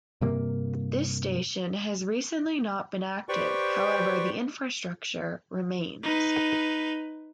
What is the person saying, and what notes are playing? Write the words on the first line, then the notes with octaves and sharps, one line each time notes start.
This station has recently not been active however the infrastructure remains.
G2 C3 A#3
G4 B4 C5 D5 G5 C#6
D#4 B4